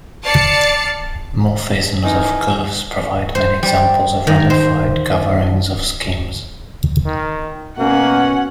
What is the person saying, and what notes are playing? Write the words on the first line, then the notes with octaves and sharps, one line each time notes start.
Morphisms of curves provide many examples of ramified coverings of schemes.
D5 A5 F6 A6 C7 C#7
D#3 E3 D#4 G#5
C5
G3
D#3
C5
D#3
B2 A#3 C#4 F#5